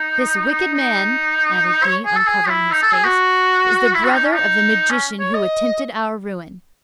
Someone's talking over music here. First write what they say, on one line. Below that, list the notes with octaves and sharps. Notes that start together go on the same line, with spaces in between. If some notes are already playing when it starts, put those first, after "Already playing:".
This wicked man," added he, uncovering his face, "is the brother of the magician who attempted our ruin.
Already playing: D#4
D#4
D#4
C#5
G#4
A4
G#4
E4
D#4
A4
G#4
F#4
E4
F#4
C#4
D#4
C#4
D#4
C#4
C#5
D#5